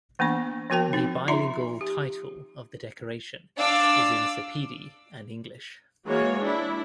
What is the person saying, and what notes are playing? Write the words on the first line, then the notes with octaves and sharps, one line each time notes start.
The bilingual title of the decoration is in Sepedi and English.
E3 A#3 B3 D4 C#6
F3 B3 F#4 A#4 G5 A5
C4 D#4
D#4 F4 E5 A#5 C6
G4
D4 D5 F5 D6 E6
E3 G#3 A#3 F#4 C#5
D4 E4